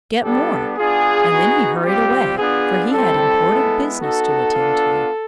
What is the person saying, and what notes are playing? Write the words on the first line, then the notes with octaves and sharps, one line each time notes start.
"Get more!" And then he hurried away, for he had important business to attend to.
G3 B3 D4 G4 A4
B3 D4 F4 G#4
B3 D#4 F#4
G3 C4 F4 G4
B3 D4 F4 G#4
G3 C4 E4 G4 A4
G#3 B3 E4
B3 D#4 F#4 A4
B3 D4 F4